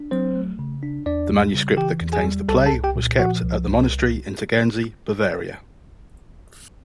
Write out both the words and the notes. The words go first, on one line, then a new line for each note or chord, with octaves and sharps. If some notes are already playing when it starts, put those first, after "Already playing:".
The manuscript that contains the play was kept at the monastery in Tegernsee, Bavaria.
Already playing: D4
F#3 C4 C5
A3
C#3
D4
E2 D4 D5
G3
C#3
E3 G4 G5
E2
G#4 G#5
G3
C2 A4 A5
A4 A5
C2
G4 G5
A#2
F3 F#4 F#5
C2
C2